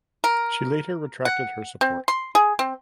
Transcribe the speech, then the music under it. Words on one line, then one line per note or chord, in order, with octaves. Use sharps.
She later retracted her support.
A#4
F#5
C4
C6
G#4
C4